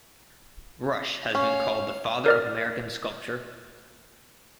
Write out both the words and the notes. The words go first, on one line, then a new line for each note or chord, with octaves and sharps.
Rush has been called the Father of American Sculpture.
C#4 C#5 F5
A#4 D5 F6